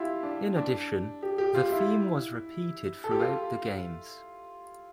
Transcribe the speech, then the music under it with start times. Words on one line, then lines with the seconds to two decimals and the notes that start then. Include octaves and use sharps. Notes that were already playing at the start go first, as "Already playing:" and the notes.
In addition, the theme was repeated throughout the games.
Already playing: E4 F4 G4
0.23 D4
0.56 D4
1.23 G4
1.38 G4
1.55 F4
1.66 F4
1.72 E4
3.04 A4
3.11 G4
3.20 F4